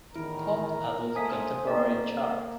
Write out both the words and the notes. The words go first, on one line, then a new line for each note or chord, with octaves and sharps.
Hot Adult Contemporary chart.
E2 A2 D#3 E4 A#4
A3 A#3 C5 D#5 G#5 D#6 B6
A3 A#3 C4 D#4 D5